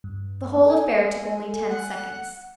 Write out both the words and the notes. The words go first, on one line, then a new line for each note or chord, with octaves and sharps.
The whole affair took only ten seconds.
G2
A4 G#5
F#5